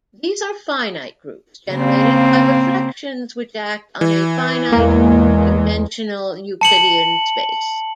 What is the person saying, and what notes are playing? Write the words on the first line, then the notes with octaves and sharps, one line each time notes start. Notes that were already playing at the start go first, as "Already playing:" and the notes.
These are finite groups generated by reflections which act on a finite-dimensional Euclidean space.
C#3 A#3 C4
E3
E2 G#3 A#3
A5 C#7 F#7